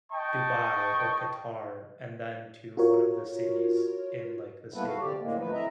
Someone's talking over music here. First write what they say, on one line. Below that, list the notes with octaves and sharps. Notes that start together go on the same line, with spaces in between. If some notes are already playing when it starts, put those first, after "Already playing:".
Dubai or Qatar, and then to one of the cities in, like, the state that we're from.
D#5 G5 A5 C#6
F4 F#4 A#4 C#5
G3 A#3 B3 E4 A4 B4
F#4 A4 F5
D3 C4 G4 D5
A2 D3 G#3 A#3
D3 E3 F3 A3 B4
C4 E4 D#5 E5 A#5